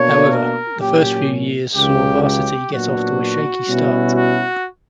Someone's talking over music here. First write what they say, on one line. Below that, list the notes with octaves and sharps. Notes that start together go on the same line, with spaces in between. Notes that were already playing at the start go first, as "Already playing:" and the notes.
However, the first few years saw "Varsity" get off to a shaky start.
Already playing: B2 A#3 D4 C#5
A#4
A#2 F#3 C#4 G4
C#2 C#3 F#3 G4
G4
A#2 F#3 B3 D4 F#4
B2 G3 C#4 E4
F#4